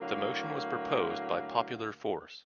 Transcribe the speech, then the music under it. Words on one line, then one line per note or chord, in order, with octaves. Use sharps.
The motion was proposed by Popular Force.
D2 A2 F#3 A#3 F5